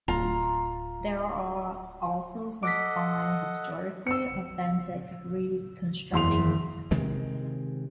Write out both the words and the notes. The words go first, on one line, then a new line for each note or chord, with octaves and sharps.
There are also some fine, historically authentic reconstructions.
D1 F4 A#5
A4 D#5 F#5 D6 A#6 B6
E6 C#7
F#1 E2 C6 F7
C3 D#3 G#3 C4